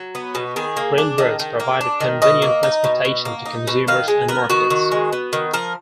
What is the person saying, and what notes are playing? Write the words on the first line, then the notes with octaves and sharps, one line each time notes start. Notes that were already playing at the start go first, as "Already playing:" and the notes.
Railroads provided convenient transportation to consumers and markets.
Already playing: F#3
B3
B2
D#3 G#4
A#3
D4
D#3
D#3
A#3
D4
D#3
B2 D#5
A#3
D#4
B2
B2
A#3
D#4
B2
D#3 F5
G#3
B3 A#4
D#3 F#4
D#3
G#3
B3
D#3
F3 A#4